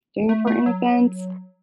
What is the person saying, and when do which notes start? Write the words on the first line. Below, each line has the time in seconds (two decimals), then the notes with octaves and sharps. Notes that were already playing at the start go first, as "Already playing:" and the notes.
during important events?
0.29 A3
0.47 A3
0.66 F#3